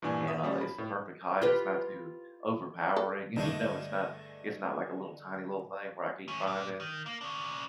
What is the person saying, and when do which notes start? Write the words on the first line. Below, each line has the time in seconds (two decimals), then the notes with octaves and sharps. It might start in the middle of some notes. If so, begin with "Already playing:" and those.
And, uh, it's the perfect height. It's not too overpowering. You know, it's not it's not like a little tiny little thing where I can't find it.
0.02 G2 A#2 E3 D4 G#5
0.27 E5 D#6
0.43 F3 G3 C#4
0.61 B5
0.78 A2
1.42 F4 G4 B4
2.97 A4
3.36 G2 D3 G#3 A3 D#4 D#5
6.28 A3 C#4
6.47 A#2
6.80 D#3
7.06 A#3
7.21 C#3 D4